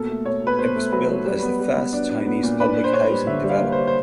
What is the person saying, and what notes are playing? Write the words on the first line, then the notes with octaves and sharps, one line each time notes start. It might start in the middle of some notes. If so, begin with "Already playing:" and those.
It was billed as the first Chinese public housing development.
Already playing: B2 A#3 A4
A3
B2 C#5
B2 B4
B2 C5
A3
F#3 B4
F#3
G3
B3
G3
B3
D4
D4
B3
A#2
D4 B4
D4
C5
D4 C#5
G3
D3 E5
G3
F5
A#3
C5
G3
C5